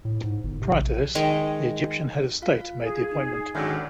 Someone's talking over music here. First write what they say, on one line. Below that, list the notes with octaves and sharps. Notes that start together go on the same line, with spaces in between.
Prior to this, the Egyptian head of state made the appointment.
A2
G#2
G1
C3
A#1
D#3 G#3 D#5 A#5
F4 F5
G#4
D#4
G#2 D3 D#3 F#3 C#4 E5